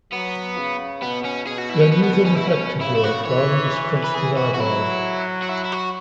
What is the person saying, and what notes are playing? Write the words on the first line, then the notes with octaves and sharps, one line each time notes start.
The unusual reflective work violently scrunched his eyebrows.
F#3 B3
C#3
B2 B3
C#4
B2 G#4
F#4
E4
C#4
B3
B3
B3
C#4
E4
C#4
C#3 E4
E4
F#4
E3 C#5
B4
G#4
F#4
F#4
F#3 E4
F#4
E4
E4
F#4